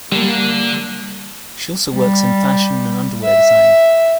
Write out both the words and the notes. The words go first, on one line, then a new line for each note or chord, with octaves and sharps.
She also works in fashion and underwear design.
D3 G3 A#3
G3
E5